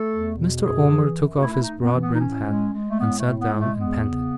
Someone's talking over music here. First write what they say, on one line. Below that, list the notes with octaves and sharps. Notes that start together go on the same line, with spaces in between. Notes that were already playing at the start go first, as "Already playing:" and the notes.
Mr. Omer took off his broad-brimmed hat, and sat down and panted.
Already playing: A3 A4
E2
B2
F#2 G#4
E3
F#2
F#4
A3 E4
E4
D#4
F#2
B3
E3
B3
D#4
A2 C#4
G#3
G#3
A3
A2 B3
A3
A2
B3
G#3
A3
E2 B3
C#3